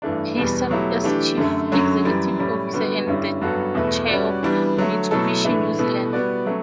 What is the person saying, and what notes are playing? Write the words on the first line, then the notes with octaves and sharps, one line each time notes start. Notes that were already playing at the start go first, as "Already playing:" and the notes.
He served as chief executive officer and then chair of Mitsubishi New Zealand.
G2 E3 A3 D4
E2 B2 G3 B3
B2 F#3 A3 E4 G4
E3 A3 D4 G4
F#2 D3 A3
F#2 D3 F#3 C#4
F#2 E3 G3
A2 G3 C#4
D3 G3 B3 F#4
G2 D3 G3 C#4 E4
G2 F#3 B3 F#4 A4
E2 B2 A3 E4 B4
G3 C#4 F#4 B4 D5
E3 G3 B3 D4
D3 F#3 A3
B2 F#3 A3 E4 A4
A2 E3 A3 D4
B2 A3 E4 B4
G3 B3 F#4 B4 D5
F#3 A3 C#4